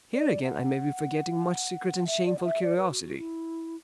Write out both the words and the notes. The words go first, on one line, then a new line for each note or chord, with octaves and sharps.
Here again I may be forgetting much secret and shameful curiosity.
D5
F#5
E5
D5
F#5
E5
D5
B4
F#4
F#4
E4